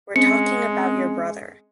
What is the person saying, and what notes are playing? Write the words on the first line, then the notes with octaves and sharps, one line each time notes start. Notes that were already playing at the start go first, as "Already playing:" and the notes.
We’re talking about your brother.
G#3 C4 C#4 C#7